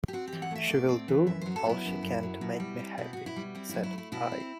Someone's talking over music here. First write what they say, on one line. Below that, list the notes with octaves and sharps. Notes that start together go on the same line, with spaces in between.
"She will do all she can to make me happy," said I.
G4
C4 F#4
G4
E3
F#5
A3 E5
A2 D5
C4
E3
F#2 E5
F#3 C5
A4
B3 E4
F#2
F#2
F#3
B2
G3
C4
B2 E4
B2 F#4
E4
G3
C4 E4
F#3 E4
E4
A3
E4
B2 E4
C4